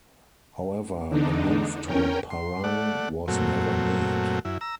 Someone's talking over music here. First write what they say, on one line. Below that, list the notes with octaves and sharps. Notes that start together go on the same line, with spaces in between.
However the move to Parang was never made.
E2 D3 D4 D#4
E2 C#4 A#4 G5
C6
A3 D5 F#5
F#2 A#2 F#3 A3 C4
F#2 E4
A#5 E6